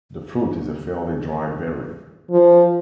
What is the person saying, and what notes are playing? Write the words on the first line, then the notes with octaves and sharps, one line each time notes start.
The fruit is a fairly dry berry.
F3